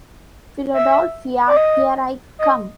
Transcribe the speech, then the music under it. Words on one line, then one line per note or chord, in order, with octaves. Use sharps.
Philadelphia, Here I Come!
E5
D5
D#5
D#5